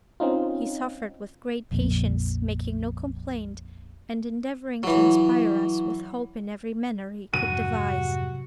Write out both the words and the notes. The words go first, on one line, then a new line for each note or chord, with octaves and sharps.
He suffered with great patience, making no complaint, and endeavouring to inspire us with hope in every manner he could devise.
C4 C#4 D#4 F4
A#1 F2 A#2
E3 F#3
F2 G#2 C3 F#3 F#4 D#7